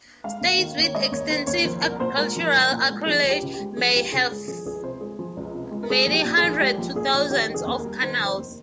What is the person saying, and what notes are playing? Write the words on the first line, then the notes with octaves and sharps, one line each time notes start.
States with extensive agricultural acreage may have many hundred to thousands of canals.
G#3 F5
D#2
D#3
D#2
C#5
G#3 D#5
D#2 C#5
D#3 C5
D#2 C#5
F3 C5
C2 A#4
A#2 C5
G#3 A#4
F3
C2
A#2
G#3
F3 G#4
C#2
G4
C#3
G4
G#3
F3 G#4
C#2 G4
C#3 G#4
G#3 G#4
F3 G#4
C#2 G#4
C3 C5
G#3 G#4
F3
C#2
C3
G#3
A#4
G#3 G#4
A#1
G4
A#2
G#4
A#1
G#3 G4
A#1
A#2 G#4
A#1
D#3 G4
F1 G#4
D#2
A#4
G3
D#3 C5
F1
C5
D#2